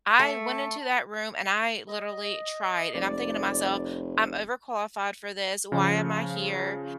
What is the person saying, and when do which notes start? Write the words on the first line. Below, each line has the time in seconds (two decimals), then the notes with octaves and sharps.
I went into that room, and I literally tried, and I'm thinking to myself, "I'm overqualified for this. Why am I here?"
0.19 A3
1.89 D#5
2.94 F1 D5
5.72 C#3 F3